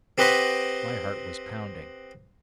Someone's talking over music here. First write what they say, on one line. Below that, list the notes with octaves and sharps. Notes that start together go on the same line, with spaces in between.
My heart was pounding.
C4 G4 B4 D#5 F#5 B5